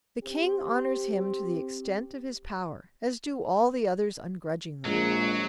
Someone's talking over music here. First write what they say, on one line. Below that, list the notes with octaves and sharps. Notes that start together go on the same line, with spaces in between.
The King honours him to the extent of his power, as do all the others ungrudgingly.
C4 G4
A#1 F#3 G#3